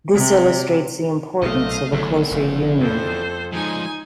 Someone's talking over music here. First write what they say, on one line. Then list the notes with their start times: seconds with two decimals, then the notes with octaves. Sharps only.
This illustrates the importance of a closer union.
0.14 C3
1.42 B1 A#2 A3 D#5 F5
1.93 A1 E2 D3 F#3 A4
2.31 F1 A3
2.80 F2 A4 C5
3.53 F3 G#3 D#4 G#5